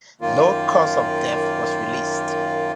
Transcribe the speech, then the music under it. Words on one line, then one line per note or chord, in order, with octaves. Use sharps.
No cause of death was released.
F#2 D#3 A#3 F4